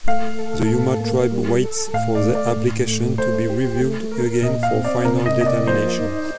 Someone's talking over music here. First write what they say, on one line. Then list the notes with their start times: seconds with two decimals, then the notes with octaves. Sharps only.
The Houma tribe waits for their application to be reviewed again for final determination.
0.07 A3 F5
0.39 A4
0.69 A2
1.00 A#3
1.31 G3
1.63 A4
1.94 A2 F5
2.15 D5
2.25 A3
2.35 D5
2.56 A2
2.87 A3
3.18 A3 C5
3.50 G4
3.81 A3
4.11 A#4
4.42 A#2 D#5
4.63 F5
4.74 C4
4.84 D5
5.05 C3 A#4
5.26 D#5
5.36 A#3
5.41 D#5
5.46 D5
5.67 F3 C5
5.98 D#4